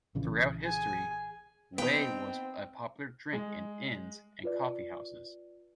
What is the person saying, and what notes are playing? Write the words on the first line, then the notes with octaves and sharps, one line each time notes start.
Throughout history, whey was a popular drink in inns and coffee houses.
A#1 C#3 E3
G#4 G#5
B3 C4 D#4 G5
G#3
F4 B4 D5